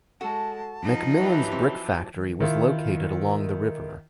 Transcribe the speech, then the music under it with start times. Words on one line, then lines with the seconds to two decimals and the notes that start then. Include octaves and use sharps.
McMillan's brick factory was located along the river.
0.21 G#3 F#4 A4 A5
0.82 F3 D#4
1.21 E3 F#3 G4
1.51 C4
2.40 D#3 E4 F4